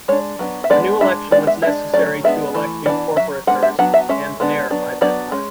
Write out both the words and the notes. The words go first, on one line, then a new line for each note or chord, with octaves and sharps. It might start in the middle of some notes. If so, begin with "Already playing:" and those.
A new election was necessary to elect new Corporators and Mayor by that time.
G#3 D4 C#5
F#3 B3 D4
E5
G#3 B3 D4 D5
G#3 D4 E5
G#3 B3 D4 D5
E5
G#3 D4 E5
F#3 A3 C#4 D5
G#3 B3 D4 E5
E3 A3
E3 B3 D4 D5
F#3 C#4 E5
G#3 B3 D4 F#5
E5
F#3 B3 D4 F#5
E5
G#3 C#4 E5
G#3 B3 D4
F#3 B3 D4
F#3 B3 D4 D5
G#3 C#4